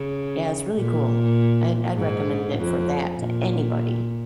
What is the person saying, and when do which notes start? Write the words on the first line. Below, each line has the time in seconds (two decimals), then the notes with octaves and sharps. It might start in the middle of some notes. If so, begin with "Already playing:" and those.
Yeah, it's really cool. I'd I'd recommend it for that to anybody.
Already playing: C#3
0.74 A#2
1.96 G#2
2.57 F2
3.18 A#2